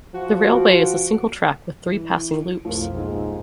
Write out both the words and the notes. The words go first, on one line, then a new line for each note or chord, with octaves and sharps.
The railway is single track with three passing loops.
F3 F#4
E3
B1 F2 A2 F3 A#4
D#2 G#2